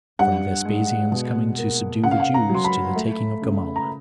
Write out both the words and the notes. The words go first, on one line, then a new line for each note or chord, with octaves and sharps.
From Vespasian's Coming To Subdue The Jews To The Taking Of Gamala.
G2 F#5
G#3
B2
A#3
C#3 F#5
F5
F#5
A#5
F#3 C6
B5
A3
C#3
A#5